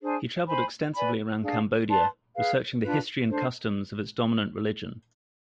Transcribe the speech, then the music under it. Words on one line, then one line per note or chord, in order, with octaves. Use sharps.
He traveled extensively around Cambodia, researching the history and customs of its dominant religion.
D4 G#4 C5 G#5
C5 G#5 B5
B4 D5 G#5 B5
D4 G#4 D5 F5
B4 D5 A5 C6
G#4 B4 F5
D4 F4 B4
D4 A4 C5